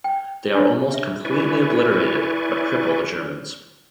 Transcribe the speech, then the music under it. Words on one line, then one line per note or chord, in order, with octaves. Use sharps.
They are almost completely obliterated, but cripple the Germans.
G5
D4
E5
E4 B4 D5 G#5 C#6